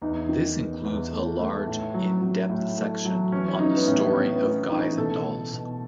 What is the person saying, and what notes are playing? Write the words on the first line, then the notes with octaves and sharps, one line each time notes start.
This includes a large in depth section on the story of Guys 'n' Dolls.
E2 D#4
D#3
E2
E2
A3
A3
A2
F#3
F#3
A2
A3
F#3
E3 C#4
C#4
E3 D#4
B3
A2 C#4
B3
A2 C#4
B3
A2
E3 D#4
C#4
B2 A4
A3
B2